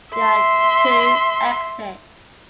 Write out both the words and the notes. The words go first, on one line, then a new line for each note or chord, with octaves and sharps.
There are two exits.
E5 C6